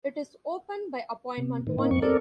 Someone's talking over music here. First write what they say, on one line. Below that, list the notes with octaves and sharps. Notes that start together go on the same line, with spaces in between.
It is open by appointment only.
C3
A2 D#3
A#3 C4 D#4
F2 C4 C#6
C4 A4 A#4 D5